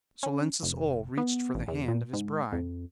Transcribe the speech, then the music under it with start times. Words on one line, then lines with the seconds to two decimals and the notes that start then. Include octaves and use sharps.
Salensus Oll reached for the hand of his bride.
0.23 C#4
0.63 F1
1.18 B3
1.54 A1
1.68 E2
1.88 A#2
2.13 G#2
2.52 F2